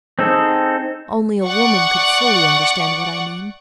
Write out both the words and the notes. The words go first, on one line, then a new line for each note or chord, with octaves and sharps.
Only a woman could fully understand what I mean.
C4 D#4 G#4 A4
D5 F#5 C#6